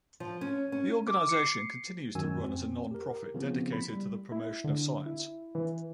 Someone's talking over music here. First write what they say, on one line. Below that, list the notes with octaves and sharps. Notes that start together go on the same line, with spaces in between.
The organization continues to run as a non-profit dedicated to the promotion of science.
F3
C#4
C#4
D6
C7 C#7
F#2 D#3 F#4 G#5 E6
F2 C4
G4 A#4
C#3 F3 B3 C4
B5
G3
E4
D3
E4
E3